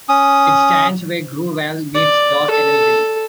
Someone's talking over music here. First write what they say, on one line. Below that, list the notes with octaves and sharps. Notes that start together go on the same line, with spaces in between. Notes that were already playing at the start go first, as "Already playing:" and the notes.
It stands where Grove Vale meets Dog Kennel Hill.
C#4 D#6
D5
A4